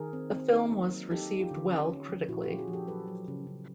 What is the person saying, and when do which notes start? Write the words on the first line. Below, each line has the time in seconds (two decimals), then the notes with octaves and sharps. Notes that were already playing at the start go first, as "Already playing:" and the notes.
The film was received well critically.
Already playing: D#3 G#4 A#4
0.13 C4
0.32 C4
0.52 D#4
0.72 A#3
0.91 F#3
1.11 D#4 G4 A4
1.30 D#4
1.40 F4 G4
1.51 D3
1.70 C#4
1.89 C#4
2.09 F3
2.28 A#2 E4 F#4
2.43 F4 G4
2.49 C#4
2.59 F#4 G#4
2.68 F3
2.73 G4 A4
2.87 F#3 A4 B4
3.08 F#3
3.28 C#3
3.47 C#3